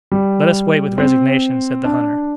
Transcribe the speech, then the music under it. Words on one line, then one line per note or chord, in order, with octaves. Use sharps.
"Let us wait with resignation," said the hunter.
G3
C4
D4